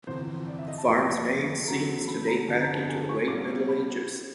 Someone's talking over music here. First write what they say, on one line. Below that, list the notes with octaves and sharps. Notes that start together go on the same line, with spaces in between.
The farm's name seems to date back into the late Middle Ages.
G1 F2 C3 E3 C5
D5
E5
D#5
A5
F1 F2 C3 F3
E2 C#3 F#3 A3 C4 A#5
B5
A#5
G1 F2 D3 A5
A#5
A5
G#5
C#6
B1 B2 G3 D6
B5